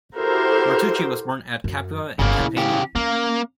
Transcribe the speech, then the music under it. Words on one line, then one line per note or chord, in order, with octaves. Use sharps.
Martucci was born at Capua, in Campania.
E4 F#4 G4 A4 A#4 C5
F#2
G1 C#3 A#3
E4
C#3 G4
A#3 C#4